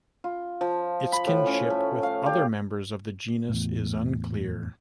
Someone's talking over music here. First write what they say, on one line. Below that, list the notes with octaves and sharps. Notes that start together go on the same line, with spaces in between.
Its kinship with other members of the genus is unclear.
F4
F3
B5
A2
C#4
A3
F5
G4
E2 A2